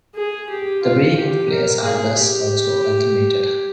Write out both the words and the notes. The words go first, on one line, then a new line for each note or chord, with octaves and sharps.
The breathing of the players are thus also alternated.
G#4
G4
F4
G4
A#4
G#4
G4